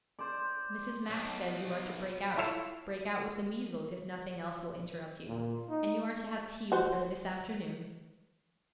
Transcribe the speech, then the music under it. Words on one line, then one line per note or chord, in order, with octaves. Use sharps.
Mrs. Max says you are to break out, break out with the measles if nothing else will interrupt you, and you are to have tea with her this afternoon.'
C5 D5
B1
E4 F4 A4 C#5 E5 F5
A#2
D#4
F#4 C5